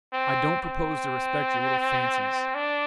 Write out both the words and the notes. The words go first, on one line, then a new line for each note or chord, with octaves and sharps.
I don't propose to respect your little fancies.
C4
C4
D4